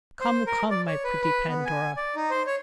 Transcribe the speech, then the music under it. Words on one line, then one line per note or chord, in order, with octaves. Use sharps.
Come, come, my pretty Pandora!
C5
A#4
D5
C#5
B4
B4
B3
G#5
D5
D#4
C5
C#5